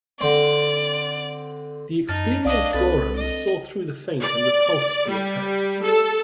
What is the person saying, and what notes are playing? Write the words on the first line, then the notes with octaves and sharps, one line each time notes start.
The experienced Goreham saw through the feint and repulsed the attack.
D3 C4 D5
F#2 D#4 A5 F6 A6
C2 D4 D5 D#5 F5 D#6
C2 C4 A4 B4 A6
D#5
D5
G3
A4